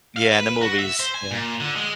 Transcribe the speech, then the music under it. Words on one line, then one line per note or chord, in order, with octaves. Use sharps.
Yeah, in the movies. Yeah.
F5
B4
F#4
E5
C5
G#5
A#2
D3
G#3